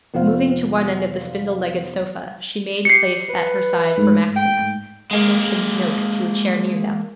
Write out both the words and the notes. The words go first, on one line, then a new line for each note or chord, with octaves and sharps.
Moving to one end of the spindle-legged sofa, she made place at her side for Maxineff, and motioned Noakes to a chair near them.
F1 B3 F4 C5 F5
G4 C7 C#7
B4
G#2 A3
G5
G#3 A#3